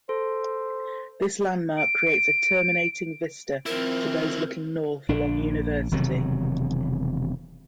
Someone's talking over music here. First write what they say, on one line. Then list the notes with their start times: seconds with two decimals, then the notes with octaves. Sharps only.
This landmark creates a terminating vista for those looking north along University.
0.09 A4 C5
1.78 D7
3.66 F3 C4 E4 A#4
5.09 A#1 D4
5.92 E1 C3 D#3 F#3